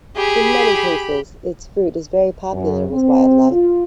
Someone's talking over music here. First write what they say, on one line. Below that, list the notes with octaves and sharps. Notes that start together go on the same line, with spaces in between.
In many cases its fruit is very popular with wildlife.
G4 G#4 B5
F#2
C4
F4